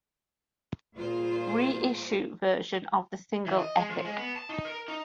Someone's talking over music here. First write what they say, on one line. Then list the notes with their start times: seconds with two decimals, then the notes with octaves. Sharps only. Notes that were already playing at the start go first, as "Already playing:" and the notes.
Reissue version of the single "Epic".
0.96 A#2 G3 A#3 F4 G#4 C5
3.46 E3
3.59 D#5
3.77 G#3
3.90 F3
4.05 G#3
4.18 B3
4.36 A5
4.49 D#4
4.65 A#4
4.88 D#4